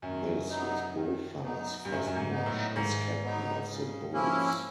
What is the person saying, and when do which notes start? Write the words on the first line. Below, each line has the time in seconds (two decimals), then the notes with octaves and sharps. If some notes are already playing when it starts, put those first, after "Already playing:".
This was Botha's first match as captain of the Bulls.
0.02 F#2 D#3
0.48 F#3 B3 D#4
0.94 D#3
1.39 F#3 B3 D#4
1.85 G2 D#3
1.92 F#2
2.06 F#2
2.15 G#2
2.31 F#3 B3 D#4
2.46 A2
2.76 G#2 D#3
3.22 F#3 B3 D#4
3.68 C#3
4.13 F3 A#3 C#4 E4